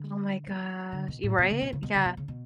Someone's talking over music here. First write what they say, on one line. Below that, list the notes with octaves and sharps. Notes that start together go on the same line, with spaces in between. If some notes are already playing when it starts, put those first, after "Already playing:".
Oh my gosh y right? Yeah.
Already playing: D3
E3
D3
B2
A2
B2
C#3
B2
C#3
B2
C#3
B2
C#3
B2